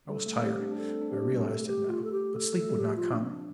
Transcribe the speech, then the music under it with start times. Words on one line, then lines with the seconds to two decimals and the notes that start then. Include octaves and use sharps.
I was tired; I realized it now. But sleep would not come.
0.09 G3 A4
0.26 A3
0.43 C4 G4
0.60 D4
0.71 D4
0.76 C4 A4
1.02 D4
1.10 C4 G4
1.33 G3 G4
1.44 A3 A4
1.60 A4
1.67 G4
1.89 F4
2.04 A4
2.12 G4
2.34 A4
2.57 A3 A4
2.70 G3
2.79 F3 G4
2.96 F4
3.13 D4
3.22 C4
3.30 D4